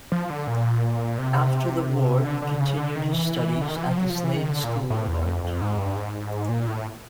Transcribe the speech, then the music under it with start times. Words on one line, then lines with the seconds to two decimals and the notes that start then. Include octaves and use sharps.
After the war, he continued his studies at the Slade School of Art.
0.12 F3
0.30 D3
0.47 A#2
1.18 C3
2.24 D3
2.42 D3
2.60 C#3
2.77 D3
2.95 D#3
3.13 E3
3.61 D3
3.68 D#3
3.76 E3
3.83 F3
3.97 F#3
4.10 F3
4.24 E3
4.37 D#3
4.50 D3
4.64 A#2
4.90 A2
5.08 E2
5.25 F2
5.44 F2
5.62 G#2
5.78 G2
5.96 G#2
6.49 A#2
6.68 A2